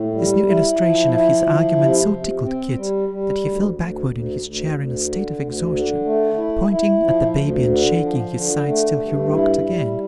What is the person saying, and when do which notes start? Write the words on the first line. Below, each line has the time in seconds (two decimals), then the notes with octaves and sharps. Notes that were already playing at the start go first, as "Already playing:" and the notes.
This new illustration of his argument so tickled Kit, that he fell backward in his chair in a state of exhaustion, pointing at the baby and shaking his sides till he rocked again.
Already playing: A2
0.14 G3
0.48 E4
0.79 F3
1.13 E4
1.46 F3
1.78 C3
2.11 C3
2.44 C4
2.76 G3
3.09 G3
3.42 D2
3.75 D2
4.07 D2
4.40 D2
4.74 D2
5.06 D3
5.38 D2
5.72 D3
6.04 A3
6.37 E4
6.70 E4
7.02 F3
7.36 D2
7.68 D3
8.00 F3
8.34 D3
8.67 A3
8.99 G2
9.32 E4
9.64 G3